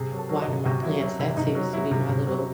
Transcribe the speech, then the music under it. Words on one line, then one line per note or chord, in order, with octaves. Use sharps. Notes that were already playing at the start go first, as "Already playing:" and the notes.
water my plants, that seems to be my little
Already playing: C3 G#4
F#3
A4
F#3
D#5
C3
C3 F#4
F#3 E4
F#3 E4
C3 E4
C3 D#4
F#3
F#3 E4
C3
C3
F#3